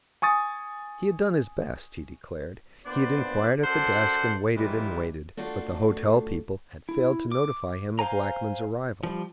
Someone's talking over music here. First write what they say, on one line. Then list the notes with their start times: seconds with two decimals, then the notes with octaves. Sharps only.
He had done his best, he declared; he had inquired at the desk, and waited and waited, but the hotel people had failed to notify him of Lackman's arrival.
0.22 G#5 C#6 D#6 A6
2.85 A#2 B3 D4 C5 D5
3.62 F#2 A4 C5 D5 F#5
4.55 E3 G3 G#3 A#3 F4
5.37 A3 D4 F4 F#4 A4
6.89 E4
7.32 D6
7.99 C5 F5 G#5 A#5
9.03 F3 G3